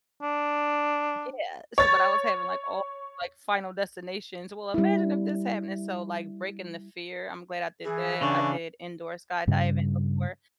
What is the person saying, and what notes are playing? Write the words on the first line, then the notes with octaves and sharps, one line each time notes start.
Yeah. So, but I was having like all these, like, final destinations, "Well, imagine if this happened," and so like breaking the fear, I'm glad I did that. I did indoor skydiving before.
D4
C#5 A6
G3 E4
E3 G#4
C#3 D4 C#6
G2 C#3 G3